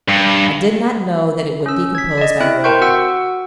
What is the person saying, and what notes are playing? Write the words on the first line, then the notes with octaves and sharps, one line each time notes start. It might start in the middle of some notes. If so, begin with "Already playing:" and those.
I did not know that it would decompose by water.
G2
C#4 E6
G#6 B6
D5 D#5
C4 E4 E5 F#6
A#4 C5 G5 C6 C#6 G6
F#4 F#5 E6